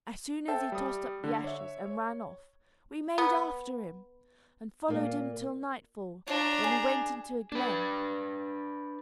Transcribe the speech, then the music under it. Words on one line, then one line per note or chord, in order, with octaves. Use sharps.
As soon as he tossed up the ashes and ran off, we made after him, and followed him till nightfall, when he went into a glen.
A4 C5 E5 G5 A5
G3 D#6
D3
C#5 E5
C#5
B3
A#2 A#3
D4 F4 C#5 A#5
G#4
D4 B4